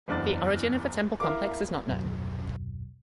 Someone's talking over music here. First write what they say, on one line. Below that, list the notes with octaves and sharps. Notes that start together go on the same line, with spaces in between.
The origin of the temple complex is not known.
F#1 E2 D4 D6 A6
E4 A#4 F5 D6
D#1 B1 F#2 F#3